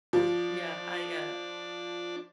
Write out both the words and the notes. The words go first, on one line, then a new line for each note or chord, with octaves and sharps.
Yeah. I, uh,
F3 D4